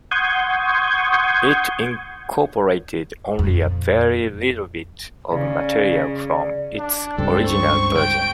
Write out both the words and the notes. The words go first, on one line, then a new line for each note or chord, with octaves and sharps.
It incorporated only a very little bit of material from its original version.
F#5 C6 C#6 D#6 G6 G#6
F2 A#2
C#3 D5
D4
C#2 G2 C4 A4
C#6
G5 D7